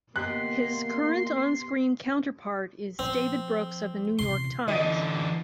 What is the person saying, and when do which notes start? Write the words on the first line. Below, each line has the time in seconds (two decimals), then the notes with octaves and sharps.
His current on-screen counterpart is David Brooks of "The New York Times".
0.16 A#3 B3 G4 D#5 C6 F#6
2.99 F3 C4
4.19 E2 C3 C6
4.68 D3 E3 D#5